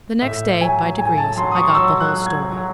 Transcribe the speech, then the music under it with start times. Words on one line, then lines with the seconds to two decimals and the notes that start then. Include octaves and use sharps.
The next day, by degrees, I got the whole story.
0.22 A2 E5
0.60 F#3 G#5
0.99 A2 G#5
1.18 A5
1.37 F#3 C6
1.51 D#6
1.56 C#6
1.75 F#3 E6
2.00 F#6
2.14 F#3
2.26 G#6
2.52 F#3